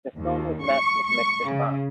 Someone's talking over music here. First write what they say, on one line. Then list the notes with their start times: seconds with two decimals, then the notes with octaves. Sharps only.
The film was met with mixed response.
0.16 D#2
0.65 C#6
1.06 C#6
1.49 C#3